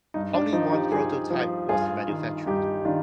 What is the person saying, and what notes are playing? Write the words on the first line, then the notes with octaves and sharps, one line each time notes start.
Only one prototype was manufactured.
G2 D#4
D4
F3 D#4
D#4 G4
G2 F4 G#4
F3
G2 F4 G#4
D#3
G2 D#4 G4
D#3 D4 F4